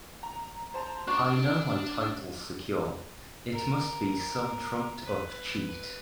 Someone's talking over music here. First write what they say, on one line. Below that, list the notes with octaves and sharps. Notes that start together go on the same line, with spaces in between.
I know my title's secure, it must be some trumped-up cheat.
A#5
C5 A5 A#5
D4 F#4 D5 C#6 F#6
A#4
B4